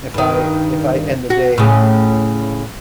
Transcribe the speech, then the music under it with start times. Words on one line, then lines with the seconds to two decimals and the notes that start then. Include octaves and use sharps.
if I if I end the day
0.14 G2 D#3
1.30 F#4
1.58 A2 C#3